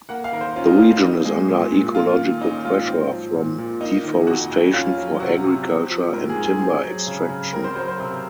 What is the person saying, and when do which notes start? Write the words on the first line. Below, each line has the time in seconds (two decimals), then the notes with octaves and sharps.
The region is under ecological pressure from deforestation for agriculture and timber extraction.
0.09 A#3 F#5
0.24 F5
0.32 D#3 A#4
0.41 C5
0.56 C#4 F4
0.66 D#4
0.77 F2 F4
1.02 C4 D#4
1.25 G#3
1.48 A#2
1.71 A#2
1.95 A#3 F4
2.18 D#3
2.41 C#4 D#4
2.65 G#2 F4
2.88 C4
3.12 F3
3.35 A#2
3.58 A#2
3.81 A#3 D#4
4.04 D#3
4.27 F2 F#4
4.51 F2
4.73 C#4 F4
4.98 F#3
5.20 C3 F#4
5.44 C3
5.67 C4
5.91 F3
6.13 G#2 A#4
6.29 G#4
6.36 G#2
6.45 G#4
6.59 C4
6.83 F#3
7.07 C#3
7.29 C#3
7.53 C4 A#4
7.64 C5
7.75 F#3 C5
7.88 C5
8.00 C3